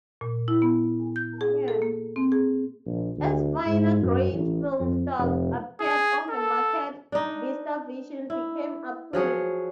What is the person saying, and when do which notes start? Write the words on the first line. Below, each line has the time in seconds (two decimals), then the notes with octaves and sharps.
As finer-grained film stocks appeared on the market, VistaVision became obsolete.
0.21 A#2
0.48 E4
0.62 B3
1.16 G6
1.41 G#4
1.68 A4
1.82 A#3
2.16 C4
2.32 G#4
2.86 A#1
3.18 D2
3.65 G#2
4.02 F#2
4.32 A1
4.80 F2
5.17 F1
5.80 G#4
6.30 A4
7.12 D4 D#4
8.30 E4
9.13 F3 F#3 G#4 C#5